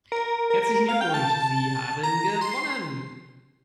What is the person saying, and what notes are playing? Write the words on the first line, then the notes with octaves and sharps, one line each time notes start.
Herzlichen Glückwunsch, Sie haben gewonnen!
A#4
A#4
F5
G5
A5
A#5
C6